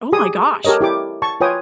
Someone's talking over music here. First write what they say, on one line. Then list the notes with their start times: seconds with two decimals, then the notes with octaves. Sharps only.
Oh my gosh.
0.12 G4 G#4 G#5 D#6
0.65 G4 A4 A#4 C#5 D#5
0.81 E4 G4 D6
1.22 A5 C#6
1.41 F4 B4 C#5 G5 G#5 D#6